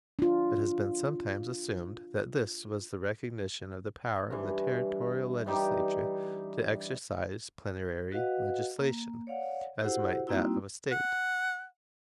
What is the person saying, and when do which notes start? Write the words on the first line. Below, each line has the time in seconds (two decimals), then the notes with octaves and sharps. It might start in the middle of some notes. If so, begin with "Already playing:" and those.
It has been sometimes assumed that this was the recognition of the power of the Territorial Legislature to exercise plenary legislation, as might that of a State.
0.19 D4 F4
4.31 G2 E3
5.46 E3 G3 D#4 G4
8.12 F#4 B4 D#5 F5 F#5
8.79 A#3
9.27 C#5 D5 F5 F#5
9.82 E4 F#4 G4 A4 C5 F#5
10.27 G3 A#3 C4 D#4 E4 F#4
10.92 F#5